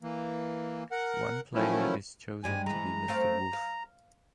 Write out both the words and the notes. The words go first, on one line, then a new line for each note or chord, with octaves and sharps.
One player is chosen to be Mr Wolf.
E3 A#3
A#4 F#5
D#3 F3 F#3 A3 C#4 E4
G2 G3 G#3 G#5
E3 G#3 A#5
A3 C4 F5
F5